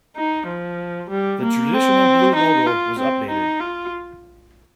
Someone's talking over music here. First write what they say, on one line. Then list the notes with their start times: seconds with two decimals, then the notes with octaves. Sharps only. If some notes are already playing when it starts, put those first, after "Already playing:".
The traditional blue logo was updated.
0.16 D#4
0.48 F3
1.10 G3
1.42 A#3
1.74 C4
2.35 D#4
2.67 F4
2.99 C4
3.30 D#4
3.61 F4